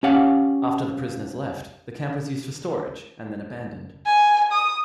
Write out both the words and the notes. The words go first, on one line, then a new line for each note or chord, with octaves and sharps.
After the prisoners left, the camp was used for storage and then abandoned.
C#4 G4 C#5 F5 F#5
G#5
D#6